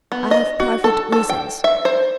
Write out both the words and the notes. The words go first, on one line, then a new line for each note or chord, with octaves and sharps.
"I have private reasons."
B3
D#5
F#4
A4
A4
G5
E5
C5